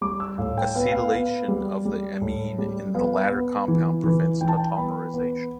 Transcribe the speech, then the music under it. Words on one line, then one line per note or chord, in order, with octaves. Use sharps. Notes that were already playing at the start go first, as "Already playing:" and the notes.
Acetylation of the amine in the latter compound prevents tautomerization.
G3 D6
E6
A2 F5
G5
B3 F5
F5
B3 F5
G3
G3
A2
G3
B3 F5
B3
E3
E3
E3 G5
A5
G5
B3 B5
B3